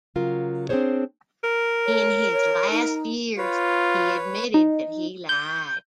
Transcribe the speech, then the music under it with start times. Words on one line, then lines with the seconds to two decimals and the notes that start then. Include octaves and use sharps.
In his last years, he admitted that he lied.
0.16 C#3 F#3 F4 A#4
0.69 C4 D4 E4 G#4 C5 C#5
1.43 A#4
1.86 C#5
2.32 C#5
2.71 D#4
3.38 F4 B4 C#5
4.54 D#4
5.29 G6